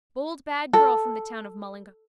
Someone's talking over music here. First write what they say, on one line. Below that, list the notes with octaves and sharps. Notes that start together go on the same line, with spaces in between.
Bold bad girl from the town of Mullingar.
A4